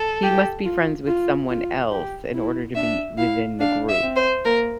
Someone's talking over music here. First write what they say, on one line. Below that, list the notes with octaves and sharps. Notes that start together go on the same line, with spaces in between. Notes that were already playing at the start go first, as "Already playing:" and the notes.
he must be friends with someone else in order to be within the group.
Already playing: A4
G4
F4
F4
F4
G4
E4
D4 E5
E4 F5
D4 F5
E5
C4
C5
A#3 A#4